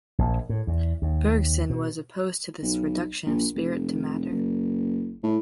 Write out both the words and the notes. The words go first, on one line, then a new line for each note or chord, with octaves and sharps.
Bergson was opposed to this reduction of spirit to matter.
A#1
A2
E2
D#2
B2
B1
A#1
F1
F#1
A2